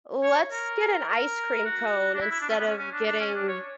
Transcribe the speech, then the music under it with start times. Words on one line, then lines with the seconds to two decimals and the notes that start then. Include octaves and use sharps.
"Let's get an ice cream cone instead of getting
0.23 C#5
0.52 A#4
1.08 A#4
1.65 F#4
2.14 D4
2.21 E4
2.31 E4
2.41 D4
2.49 C#4
2.58 B3
2.68 C#4
2.78 C#4
2.92 D4
3.06 D4
3.20 C#4
3.35 D4
3.48 C#5